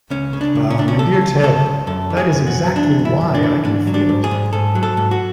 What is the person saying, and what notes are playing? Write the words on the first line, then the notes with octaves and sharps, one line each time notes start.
Ah, my dear Ted, that is exactly why I can feel it.
C#2 C#4
C#3
D4
C#2
C#4
C#2 D4
C#4
C#2 A4
C#2
C#3 A4
C#2
F#2 A4
E3
G#4
F#2
F#4
F#2
E3 D4
F#2
E4
F#2
D4
E3
G#2 D4
F#3
D4
G#2
G#4
G#2
G#2 A4
F#3
A4
G#2
F#4